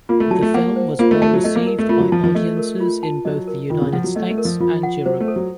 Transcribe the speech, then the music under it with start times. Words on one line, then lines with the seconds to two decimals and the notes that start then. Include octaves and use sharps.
The film was well received by audiences in both the United States and Europe.
0.09 A#3 F4
0.20 A3
0.31 F#3 A5
0.43 A3
0.54 A#3 F#5
0.76 C5
0.99 A#3 F4
1.11 A3
1.22 A3 A5
1.34 F#3
1.44 A3 D#5
1.56 A#3
1.67 A#4
1.79 A3
1.89 A3 F4
2.00 F#3
2.12 F3 A5
2.24 F3
2.35 A3 D#5
2.57 A#4
2.80 F4
3.03 A5
3.25 F#3 D#5
3.48 A#4
3.70 D#3 F4
3.82 C#3
3.93 F3 F#5
4.04 F#3
4.16 A3 D#5
4.31 A3
4.38 A#4
4.45 F3
4.60 F3 F4
4.83 F#5
5.06 F#3 C5
5.21 A3
5.28 A4
5.36 F#3